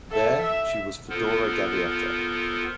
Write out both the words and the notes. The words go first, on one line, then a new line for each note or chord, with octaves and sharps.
There, she was Fedora Gaviota.
A4 E5
E5
B3 F4 A4 A#4 C5